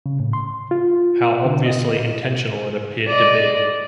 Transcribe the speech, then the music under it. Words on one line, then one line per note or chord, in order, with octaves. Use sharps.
How obviously intentional it appeared to be.
C#3
A2
C6
F4
D3
D#5
D5 D#5